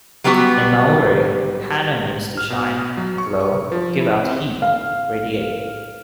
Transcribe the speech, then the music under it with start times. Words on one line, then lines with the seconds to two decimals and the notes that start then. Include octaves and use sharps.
In Maori, "Hana" means to shine, glow, give out heat, radiate.
0.24 F#3 G3 B3 C4 F#4 G4
2.37 F6
2.50 B2
2.97 F#3
3.18 C#6
3.40 C#6
3.72 F3
4.01 E4
4.24 C4
4.62 F5